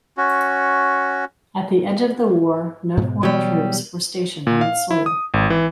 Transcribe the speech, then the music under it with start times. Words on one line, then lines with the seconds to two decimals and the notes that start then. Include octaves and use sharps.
At the end of the war no foreign troops were stationed on its soil.
0.17 C#4 F#4
2.97 G#2 B2
3.23 B2 E3 F#3 G3 B3
4.47 A#2
4.61 F5
4.91 E4
5.06 D#6
5.34 G#1
5.50 E3